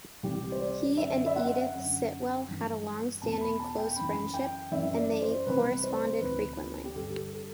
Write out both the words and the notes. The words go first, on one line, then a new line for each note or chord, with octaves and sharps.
He and Edith Sitwell had a long-standing close friendship and they corresponded frequently.
C2 C3 E3 G4
C5
D5
F#2 D3 E5
E5
F#5
F#2 D3
G2 E3
E2 B2 A5
B5
A5
G5
F#2 B5
E3
G5
F#2 E3 E5
D5
C5
C2 C3 E3 B4
C5
D2 C3 E3 B4
G4
G2 D3 A4
A4